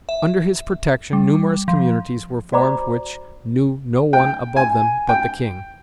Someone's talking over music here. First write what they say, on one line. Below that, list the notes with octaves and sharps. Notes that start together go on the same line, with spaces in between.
Under his protection numerous communities were formed which knew no one above them but the king.
E5
G3
F3
F#4 C5 D5 A#5 B5 D6
G5
G#5
G5